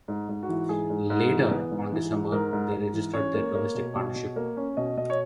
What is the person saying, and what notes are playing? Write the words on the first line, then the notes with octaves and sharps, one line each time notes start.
Later on December they registered their domestic partnership.
G#2
G#2
F#4
E3
G#2 G#4
G#2
G#2
E3
B3
G#2
E3
G#2
G#2 A#4
G#2
G#2
E3
C#4 C#5
A#3
A#3
B2
B2
B2
A#3
C#4
B2 D#5
B2 D#5
C#5